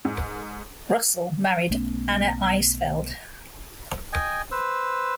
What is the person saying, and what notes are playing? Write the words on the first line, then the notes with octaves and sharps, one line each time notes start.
Russell married Anna Isfeld.
G#2
B1 A3 B3 C#4
D#5 G5 G#5
B4 C5 E6